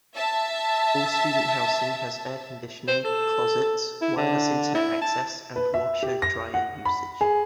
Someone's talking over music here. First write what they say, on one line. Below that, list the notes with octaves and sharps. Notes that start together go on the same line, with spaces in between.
All student housing has air-conditioning, closets, wireless Internet access, and washer-dryer usage.
E5 A5
C5
A4
E4
D3
E4
A5
B4
E5
G4
A#6
F#5
B5
G#4